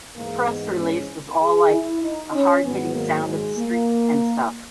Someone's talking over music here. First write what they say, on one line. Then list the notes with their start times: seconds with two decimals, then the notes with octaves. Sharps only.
The press release was all like, the hard-hitting sound of the streets and stuff.
0.16 G#2 E3 G#3 A#3
0.47 B3
0.78 C#4
1.40 G#4
1.71 E4
2.02 D#4
2.33 C#4
2.64 G#2 D#3 F#3 B3
2.94 A#3
3.26 G#3
3.57 A#3